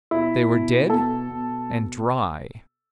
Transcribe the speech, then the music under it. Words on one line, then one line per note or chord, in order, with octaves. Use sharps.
They were dead and dry.
B2 E4
B2
B2 A4
B2